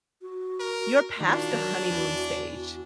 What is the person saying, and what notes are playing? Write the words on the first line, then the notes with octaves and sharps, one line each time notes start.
you're past the honeymoon stage.
F#4
A#4
D#3 D4 F4 F#4
F#3 A#4
E2 E3